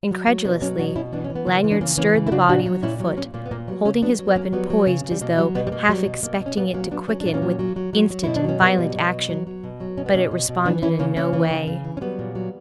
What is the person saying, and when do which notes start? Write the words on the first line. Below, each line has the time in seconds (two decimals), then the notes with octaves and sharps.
Incredulously Lanyard stirred the body with a foot, holding his weapon poised as though half-expecting it to quicken with instant and violent action; but it responded in no way.
0.11 F#3
0.27 F#3
0.45 B2 B3 D4
0.62 F#3 A#3 C#4
0.79 B2 D4 F#4
0.96 B2 C#4 E4
1.13 E3 B3 D4
1.24 C#4
1.30 E3
1.36 B3
1.46 C#3 A#3
1.64 E3
1.71 D4
1.81 C#3 A#3 C#4
1.98 E3 A#3 C#4
2.15 C#3
2.26 E4
2.32 C#3 D4 F#4
2.49 A#2 D4 F#4
2.66 F#3
2.83 A#2 C#4 E4
3.00 F#3
3.17 A#2 A#3 C#4
3.34 A#2 A#3
3.46 B3
3.51 A#2 A#3
3.68 F#3 G3 B3
3.85 C#3 A#3 C#4
4.02 F#3 B3 D4
4.19 F#3
4.27 B3
4.36 F#3 A#3 C#4
4.53 F#3 G3 B3
4.70 F#3
4.87 C#3
5.04 C#3
5.11 G3
5.21 B2 A#3
5.38 F#3 G3
5.55 B2 G3 B3
5.67 G3
5.72 B2 A#3
5.89 F#3 G3
6.06 B2
6.23 B2 A#3
6.40 B2
6.46 C#4
6.57 A#2 G3 B3
6.74 F#3 A#3 C#4
6.91 F#3 B3 D4
7.08 F#3 C#4
7.21 A#2 D4
7.34 A#3 C#4
7.42 F#3
7.59 F#3
7.76 F#3
7.93 F#3
8.11 F#3
8.24 B2 E4
8.36 D4
8.44 F#3 C#4
8.61 F#3 G3 B3
8.78 B2
8.96 B2
9.13 F#3
9.29 F#3
9.47 F#3
9.64 B2
9.80 F#3
9.97 B2 C#4
10.06 B3
10.15 B2 A#3 C#4
10.31 B2
10.49 B2
10.65 E3 B3 D4
10.82 E3 C#4 E4
10.99 C#3 A#3 C#4
11.16 C#3 A#3 C#4
11.33 E3
11.51 C#3
11.67 C#3
11.84 E3
11.97 C#4
12.01 F#3 G3 B3
12.19 A#2
12.35 F#3